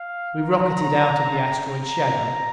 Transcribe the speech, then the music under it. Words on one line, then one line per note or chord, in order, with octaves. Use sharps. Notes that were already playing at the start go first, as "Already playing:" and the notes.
We rocketed out of the asteroid's shadow.
Already playing: F5
A#5
A#5